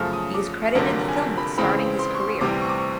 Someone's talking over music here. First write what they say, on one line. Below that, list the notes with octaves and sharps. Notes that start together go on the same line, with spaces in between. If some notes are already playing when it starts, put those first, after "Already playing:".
He has credited the film with starting his career.
Already playing: F#2 C#3 F3 A3 F6
D#6
D6
F1 F2 D3 F#3 A#3
G#5
A5
B5
C#2 C#3 E3 G#3 C4 B5
C6
C#6
C6
D2 C3 E3 G3 C4 D6
C#6
D6
C#6